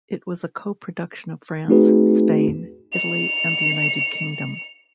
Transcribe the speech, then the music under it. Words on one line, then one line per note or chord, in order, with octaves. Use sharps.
It was a co-production of France, Spain, Italy and The United Kingdom.
A3 C4 D#4 F#4 G#4 B4
C#7 F7